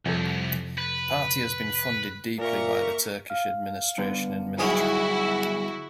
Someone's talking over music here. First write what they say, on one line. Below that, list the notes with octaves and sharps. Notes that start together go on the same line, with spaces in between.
The party has been funded deeply by the Turkish administration and military.
C2 F2 C3 A4
B4
A#2 A#3 A#4 E5 C#6
F5 F6
G2 D3 B3
B1 E4 F#4 G#4 D#5